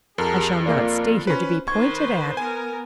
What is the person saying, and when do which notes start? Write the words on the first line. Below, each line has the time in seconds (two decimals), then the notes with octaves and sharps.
I shall not stay here to be pointed at.
0.18 F2 G4 G#4 A#4 A5
0.66 A#3 F4 D5
1.27 C#4 B4 C5 B5
1.68 D#3 B4 C5 C#6 G#6
2.37 B3 A#4 G#5